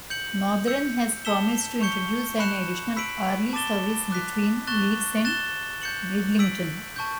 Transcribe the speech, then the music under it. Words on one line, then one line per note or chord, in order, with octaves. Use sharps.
Northern has promised to introduce an additional hourly service between Leeds and Bridlington.
G6 C#7 F#7
E6 G6 C#7
A5 E6 B6 E7 G7
C#6 G6 C#7 G7
B5 F#6 C#7 E7
B5 E6 B6 D7 F#7
A5 D6 A6 E7 G7
D6 F#6 B6
C#6 F#6 A6 E7 G7
F#6 A6 E7 G7
G6 C#7 F#7
E6 B6 D7 F#7
A5 C#6 G6